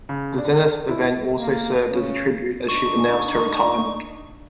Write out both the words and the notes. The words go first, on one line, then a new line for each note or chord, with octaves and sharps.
The Zenith event also served as a tribute as she announced her retirement.
C#3
D4
E4
A#3
C#3
D4 D#4 C#6